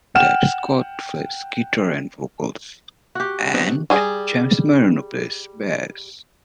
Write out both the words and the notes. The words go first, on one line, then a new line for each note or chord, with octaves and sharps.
Dave Scott plays guitar and vocals, and James Marino plays bass.
F#5 G5 F6 E7
F#4 G4
B3 C4 D4
G3 G#4